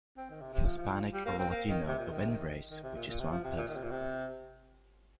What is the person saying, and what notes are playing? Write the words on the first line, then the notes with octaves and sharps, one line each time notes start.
Hispanic or Latino of any race which is one person.
C4
D#3
C3
C3
F3
F3
G3
A#3
C4
A#3
D#3
C3
A#2
D#3
C3
D#3
D#3
C3
A#2
A#2
C3
F3
C3
A#2
D#3
C3
A#2
C3